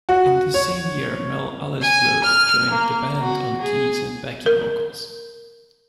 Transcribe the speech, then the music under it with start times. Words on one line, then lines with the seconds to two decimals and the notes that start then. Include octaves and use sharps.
In this same year, Mel Allezbleu joined the band on keys and backing vocals.
0.09 F#4
0.54 C#5
1.81 G#5
2.24 F6
2.70 A#3
3.22 F#4
3.61 G#4
4.46 A#4